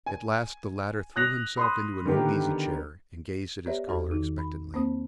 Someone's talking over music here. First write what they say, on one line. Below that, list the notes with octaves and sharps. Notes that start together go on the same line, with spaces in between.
At last the latter threw himself into an old easy chair and gazed at his caller expectantly.
G#5
D#6 F#6 A#6 F7
B5 C6 D#6
D3 D#3 B3 G4 A#4
B3 G4 B4 C#5 D5 E5
E2 F#4 A4
D#3 D#4
B5
A#3 C4 C5 D#6